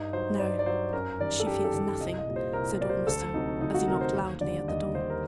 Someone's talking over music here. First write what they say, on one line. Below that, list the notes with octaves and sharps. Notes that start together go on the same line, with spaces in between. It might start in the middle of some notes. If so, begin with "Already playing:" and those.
"No; she fears nothing," said Ormiston, as he knocked loudly at the door.
Already playing: G2 D#4
F#3 C5
G2 D5
D5
F#3 C5
F#2 A#4
D#3 G3 D5
A4
F#2 G4
A4
D#3 G3
C2 D#5
D#5
A#2 G3
C5
C2 A#4
A#4
A#2 G3 C5 D5
D2 A4
C3 F#3 D#4
D2 D#4
F#4
C3 F#3 A#4
C5
D#2
D3 G3 D5
D#2 D#5
D3 G3 C5
A#4